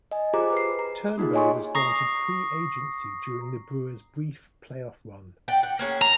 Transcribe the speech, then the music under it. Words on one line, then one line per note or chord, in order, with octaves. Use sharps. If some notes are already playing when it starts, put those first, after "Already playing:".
Turnbow was granted free agency during the Brewers' brief playoff run.
D#5 G#5
F4 G4 G#4 C5 A#5 D6
B4 C7
A#5
A#3 D#4 F4 G4 G#4
C#5 D#5 G#5 C6 C#6
A#5 C#6 D#6 A#6 C7
D5 F#5 G5
F#5
A#3 C#4 G#4
A#5